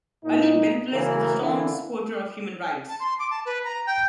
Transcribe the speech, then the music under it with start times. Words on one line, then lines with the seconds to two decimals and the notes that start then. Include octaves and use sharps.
Ali Benflis is a strong supporter of human rights.
0.25 A#2 D#4
0.91 F#2 C#3 E3 A#3 A#4
1.40 D3 E3 A#3 E4
2.88 A5
3.00 C6
3.19 D6
3.31 A5
3.46 B4
3.65 A#5
3.87 G5